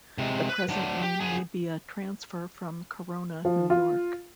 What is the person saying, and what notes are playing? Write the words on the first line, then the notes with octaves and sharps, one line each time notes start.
The present name may be a transfer from Corona, New York.
C3 G#3
B4 B5
F#3 D4
G4
F#3 G#4
F3
F4